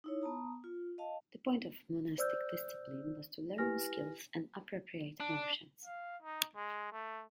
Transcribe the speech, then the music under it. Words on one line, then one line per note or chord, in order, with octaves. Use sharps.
The point of monastic discipline was to learn skills and appropriate emotions.
D#4 E4 C#5
B3 A5 A#5 D#6
F4
D#5 F5 A5
C5 D5 E6 F6 G6
E4 G4 B4 G#5 F6 A#6
D4
F5
D#4
G#3
A3